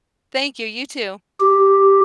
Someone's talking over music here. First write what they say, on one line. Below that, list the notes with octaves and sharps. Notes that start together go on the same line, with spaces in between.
Thank you, you too.
G4